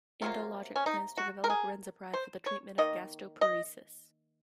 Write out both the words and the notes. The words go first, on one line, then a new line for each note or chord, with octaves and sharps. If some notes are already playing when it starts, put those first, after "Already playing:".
EndoLogic plans to develop Renzapride for the treatment of gastroparesis.
C3 F#3 A#3 F4
C#4
D#4
F#4
A#4
G#4
C5
C#5
D#3 A#3 D#5
D#5